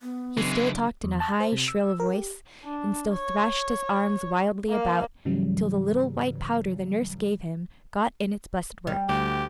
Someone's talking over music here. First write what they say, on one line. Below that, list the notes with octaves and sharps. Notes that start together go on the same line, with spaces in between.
He still talked in a high, shrill voice, and still thrashed his arms wildly about, till the little white powder the nurse gave him got in its blessed work.
B3
C#3 E3 F#3 G#3 D4
E2
A5
C5
C3
E6
A#4
G4
D4
C#5
A#3 F5
G#2 C#3 E3 F#3 G3
G3
D2 G4